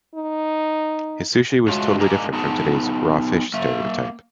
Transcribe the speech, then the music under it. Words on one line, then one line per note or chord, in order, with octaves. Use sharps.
His sushi was totally different from today's "raw fish" stereotype.
D#4
G#3 A3 F4 F#4 C#5
G#3 A#3 D4 A#5
B3 D#4 G#4 F#5 A5
A#3 E5